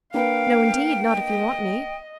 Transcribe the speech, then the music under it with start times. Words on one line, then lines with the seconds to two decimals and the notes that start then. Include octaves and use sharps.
"No, indeed--not if you want me."
0.14 A#3 D4 B4 F5 G5
1.14 D#5